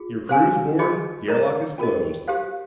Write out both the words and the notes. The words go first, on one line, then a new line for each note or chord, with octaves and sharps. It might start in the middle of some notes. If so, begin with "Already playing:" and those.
Your crew is aboard, the air lock is closed.
Already playing: F4 G#4
C5 F5 G#5
F4 G#4 D#5
A#4 D#5 A#5
C#4 F4 A#4 D#5
G4 C5 F5